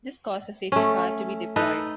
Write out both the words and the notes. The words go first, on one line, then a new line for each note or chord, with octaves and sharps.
This caused the safety car to be deployed.
A3 C#4
D#4 A4 B4